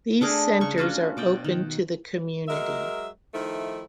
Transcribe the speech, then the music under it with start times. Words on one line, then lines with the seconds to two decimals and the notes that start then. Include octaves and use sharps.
These centers are open to the community.
0.21 A3 D4 G#4 A#4
0.61 C#3 C#6
0.78 C#4 D4 F4 F#4
1.17 B2 D5 G5
1.44 D#3
2.48 F#3 G#3 A#4 D#5 E5
3.34 D#3 F3 A3 D#4 E4